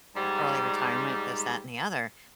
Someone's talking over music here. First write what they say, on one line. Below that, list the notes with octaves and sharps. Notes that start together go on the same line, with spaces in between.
early retirement, this, that, and the other,
G#2 G3